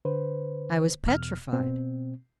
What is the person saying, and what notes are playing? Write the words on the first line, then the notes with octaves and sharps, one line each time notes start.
I was petrified.
D3 B4 C5
E2 B2 F6
B2 C4